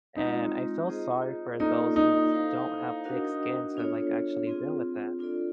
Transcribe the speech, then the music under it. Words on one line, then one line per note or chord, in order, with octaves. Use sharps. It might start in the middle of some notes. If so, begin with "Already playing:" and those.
and I feel sorry for those who d don't have thick skin to like, actually deal with that,
G#3 C4 D#4 F4
F4 G#4 C5 D#5
A#3 C#4 D#4 F4 A4 D5
D#4
E4 A4 C5 F5
D4 F#4 A#4 D#5 F#5
B3 D4 F4 A4 C#5
C4 F4 G#4
D4 F4 A4 D5